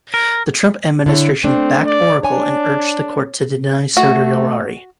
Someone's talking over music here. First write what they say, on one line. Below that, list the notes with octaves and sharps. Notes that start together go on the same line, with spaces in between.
The Trump administration backed Oracle and urged the Court to deny certiorari.
A#4
D3 E4 C#5
A3 C4 D4
D5
D4 C#5 G#5
A3 F#4